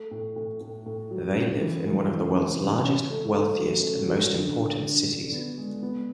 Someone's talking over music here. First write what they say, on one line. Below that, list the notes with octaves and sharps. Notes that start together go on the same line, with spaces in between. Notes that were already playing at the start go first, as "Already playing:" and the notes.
They live in one of the world's largest, wealthiest, and most important cities.
Already playing: A3
A2
A2
A2
A2
F#3
C#3
E3
G#3
E3
C#3
C#3
C#4
A3
A3
F#3
A3
F#4
D3
D3
D3
D3
B3
G#3
B3